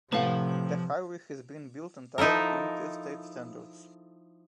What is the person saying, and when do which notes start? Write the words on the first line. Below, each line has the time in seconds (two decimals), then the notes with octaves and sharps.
The highway has been built entirely to Interstate standards.
0.13 A2 C3 F3 B4 F5 F#5 A5
2.18 F3 D#4 E4 A4 A#4